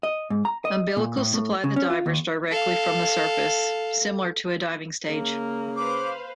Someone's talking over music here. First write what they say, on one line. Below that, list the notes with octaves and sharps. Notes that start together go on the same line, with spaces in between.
Umbilicals supply the divers directly from the surface, similar to a diving stage.
D#5
G#2
A#5
D#5
A#2
A2
A2
C#3
C#4
F4
D#2
A4 F5
C#3 A#3
B4 C5 F5 D6